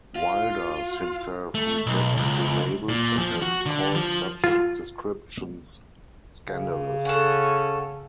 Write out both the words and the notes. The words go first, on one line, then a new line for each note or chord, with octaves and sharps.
Wilders himself rejects the labels and has called such descriptions "scandalous".
F4
A3
B1
C#2
A#2
F3
F#4
D3
F3
F4
C#3
C#4 A4 F#5